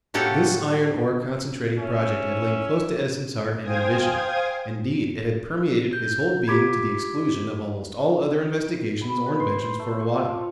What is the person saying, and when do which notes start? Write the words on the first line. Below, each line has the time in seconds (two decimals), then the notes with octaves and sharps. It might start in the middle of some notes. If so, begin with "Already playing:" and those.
This iron-ore concentrating project had lain close to Edison's heart and ambition--indeed, it had permeated his whole being to the exclusion of almost all other investigations or inventions for a while.
0.14 A2 A#3 F#4 G4 A4
1.78 C#4 E5
3.60 C5 F5 G5 G#5 D#6 G#6
5.93 G6
6.48 F4 G4 B5 D6 G#6 B6
9.01 B5
9.26 B4
9.40 C6
9.58 C5
9.79 A3
10.00 C#6
10.15 F3
10.37 F4